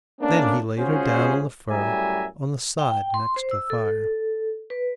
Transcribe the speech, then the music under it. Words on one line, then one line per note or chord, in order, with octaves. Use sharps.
Then he laid her down on the fur, on the side next the fire.
A3 A#3 C#4 D4
G#3 C#4 F4 F#4 G#4 C5
F#2 A2 G3 E5 G#5 A#5
G5
C6
C5
E6
A4
B4